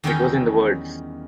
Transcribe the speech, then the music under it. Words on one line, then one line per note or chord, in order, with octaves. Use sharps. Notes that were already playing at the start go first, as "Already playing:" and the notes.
It was in the words.
E2 D#3 G3 C#4 E4 G5